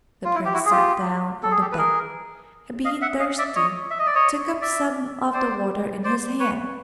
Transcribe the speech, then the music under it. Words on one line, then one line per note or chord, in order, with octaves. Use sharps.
The prince sat down on the bank, and being thirsty took up some of the water in his hand.
F4
E4
G4
E4 F#4
G#4
F4 G4
A4
G#4
G4 A4
B4
G#4 A#4
D#5 F5
E5 F#5
D#5 F5
D5 E5
C#5 D#5
E5
D#5
D5
C#5 D#5
D5 E5
C5 D5
C5 D5
B4 C#5